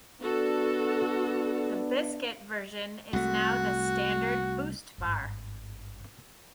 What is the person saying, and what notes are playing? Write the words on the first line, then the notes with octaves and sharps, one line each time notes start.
The biscuit version is now the standard Boost bar.
B3 D4 F#4 A4
C2 A3 F#4
G#1 G2